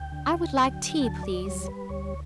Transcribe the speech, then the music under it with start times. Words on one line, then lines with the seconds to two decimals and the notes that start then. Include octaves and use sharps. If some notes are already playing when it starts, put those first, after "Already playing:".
"I would like tea, please."
Already playing: D2 G5
0.12 D3
0.57 F#3
1.01 D2 A5
1.23 D5
1.45 G3 C#5
1.68 B4
1.89 D2 C#5